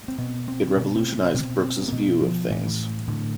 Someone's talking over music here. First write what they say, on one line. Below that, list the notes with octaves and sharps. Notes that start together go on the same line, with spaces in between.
It revolutionized Brooks's view of things.
C4
B2 B3
C4
B2 C#4
C4
B2 C4
C4
A#3
B2 B3
F3
A2 E3
A2 D3